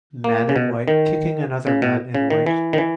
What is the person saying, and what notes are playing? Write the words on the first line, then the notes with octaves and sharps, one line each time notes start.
Man in white kicking another man in white.
A#3
C#3
B2
D#3
C#3
B2
C#3
D#3
E3
D#3
E3